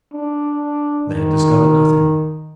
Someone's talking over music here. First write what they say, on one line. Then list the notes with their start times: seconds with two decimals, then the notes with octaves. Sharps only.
They had discovered nothing.
0.13 D4
1.08 D#3